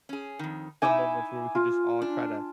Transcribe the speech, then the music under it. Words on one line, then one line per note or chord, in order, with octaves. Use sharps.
some moments where we could just all try to
C#4 G#4
F2 D#3
D#4 E4 E5 G#5 D6 E6
F4
D4